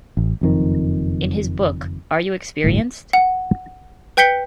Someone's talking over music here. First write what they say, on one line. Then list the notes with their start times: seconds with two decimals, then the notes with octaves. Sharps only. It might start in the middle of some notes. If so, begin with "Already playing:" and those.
In his book Are You Experienced?
0.17 A1
0.41 F#1 F2 D#3
2.64 D1 G1 A2
3.13 F#5
4.17 B4 G5 G6 B6 C#7 G7